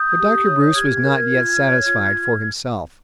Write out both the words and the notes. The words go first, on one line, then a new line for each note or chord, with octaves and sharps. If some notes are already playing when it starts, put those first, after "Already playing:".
But Dr. Bruce was not yet satisfied for himself.
Already playing: D#6 G6
G4
C#5
G4 F6 G#6
A#4
F4
C#5
F4